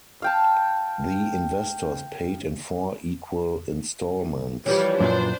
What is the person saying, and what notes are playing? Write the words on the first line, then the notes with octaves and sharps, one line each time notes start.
The investors paid in four equal instalments.
F5 G5 A5
E3 F3 G3 C#5
F#2 A#2 D4 C5